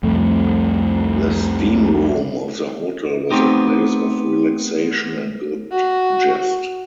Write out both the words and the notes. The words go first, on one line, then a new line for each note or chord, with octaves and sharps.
The steam room of the hotel was a place of relaxation and good jest.
C2 F2 A3
A3 B3 C4 D#4 G4
F#4